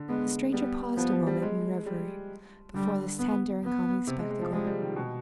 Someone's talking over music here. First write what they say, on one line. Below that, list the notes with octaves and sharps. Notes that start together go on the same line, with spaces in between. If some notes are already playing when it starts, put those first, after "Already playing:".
The stranger paused a moment in revery before this tender and calming spectacle.
Already playing: D3
G#3 B3
G3 B3
F3 B3
F3
G3
G#3
G3
D3 G3
B3
B3
C3
G#3
G#3
F3
G3 G#3
G3
D#3
C3
B2